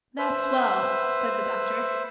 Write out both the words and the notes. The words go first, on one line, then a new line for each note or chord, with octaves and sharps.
'That's well,' said the doctor.
B4 C5 E5